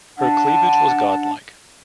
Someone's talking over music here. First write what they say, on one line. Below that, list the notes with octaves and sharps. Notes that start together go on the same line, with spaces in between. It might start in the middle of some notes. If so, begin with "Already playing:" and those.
Her cleavage was godlike.
D4 F#5 A5